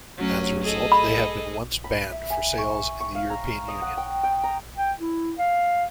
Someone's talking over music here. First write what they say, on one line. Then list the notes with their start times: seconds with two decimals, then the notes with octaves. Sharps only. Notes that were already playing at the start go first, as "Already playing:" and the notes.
As a result, they have been once banned for sales in the European Union.
0.17 F#3 A3 C#4
0.62 G#4 A4 D#5
0.92 B5
1.84 B5
2.11 E5
2.30 G#5
2.58 C#6
3.00 C#6
3.15 F5
3.30 A#5
3.68 D#5
3.82 F#5
3.97 G5
4.23 G5
4.43 A#5
4.77 G5
5.00 E4
5.38 F5